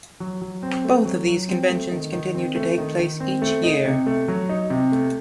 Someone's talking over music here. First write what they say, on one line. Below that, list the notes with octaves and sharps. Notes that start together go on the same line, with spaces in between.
Both of these conventions continue to take place each year.
F#3
F#3
C4
A3
F#3
F#3
C4
A3
D#3
D#3
C4
A3
D#3
D#3
C4
A3
D#4
C3
A3
F#3
D#4
C3
A3